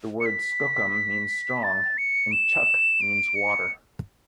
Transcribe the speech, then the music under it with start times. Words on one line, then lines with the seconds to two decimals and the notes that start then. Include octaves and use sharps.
The word "skookum" means "strong", and "chuck" means "water".
0.20 C#7
0.26 B6
1.63 A6
1.98 C#7
2.32 E7
3.01 D7
3.35 C#7